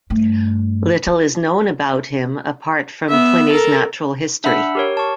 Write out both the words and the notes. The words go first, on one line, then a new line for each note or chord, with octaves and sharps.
Little is known about him apart from "Pliny's Natural History".
G2 A3
F4
B3 E5
A4 A#4
D4 E5 F#5 B5 E6
G4 A#4 C#5
A5 C#6